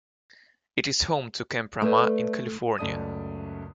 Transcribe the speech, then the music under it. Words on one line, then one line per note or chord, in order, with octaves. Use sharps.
It is home to Camp Ramah in California.
A3 A4 B4 D5
C#2 F#2 A3 D5 D#6 D#7